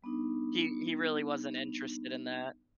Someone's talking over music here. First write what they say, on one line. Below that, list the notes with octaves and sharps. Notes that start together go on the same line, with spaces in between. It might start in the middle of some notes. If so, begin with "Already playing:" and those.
he he really wasn't interested in that.
G3 B3 D4 D#4